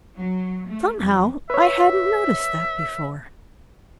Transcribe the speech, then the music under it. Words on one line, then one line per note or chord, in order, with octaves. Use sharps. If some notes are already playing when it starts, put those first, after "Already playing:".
Somehow I hadn't noticed that before.
F#3
A3
F2
B4 C#5 E5